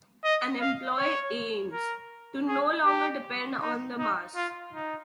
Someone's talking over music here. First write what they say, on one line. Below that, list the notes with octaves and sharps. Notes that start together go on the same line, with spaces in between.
An employee aims to no longer depend on the mass.
D#5
F5
C#5
A#4
G#4
G4
D#4
D#4
F4
D#4